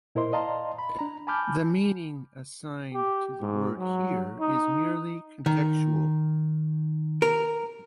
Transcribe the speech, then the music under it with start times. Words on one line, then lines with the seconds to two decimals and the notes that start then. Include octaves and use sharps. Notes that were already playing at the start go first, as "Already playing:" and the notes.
The meaning assigned to the word here is merely contextual.
0.15 A#2 E4 A#4 C5 D#5 C6
0.33 D5 D#5 F5 A5 A#5 C6
0.79 B5
0.99 D4 A#5
1.27 G#5 A5 B5 D6 F6 G6
2.94 G4
3.41 G#2
3.77 F#3
4.40 D#4
5.46 D#3
7.22 A#4